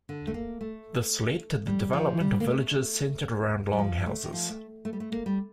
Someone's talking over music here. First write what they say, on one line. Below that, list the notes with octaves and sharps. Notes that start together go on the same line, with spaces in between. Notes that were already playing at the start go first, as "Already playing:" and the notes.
This led to the development of villages centred around longhouses.
D3
A3
A#3
A3
G3
F3
G3
A#3
A3
G3
F3
A3
D#3
F3
A3
A3
G3
A3
A#3
G3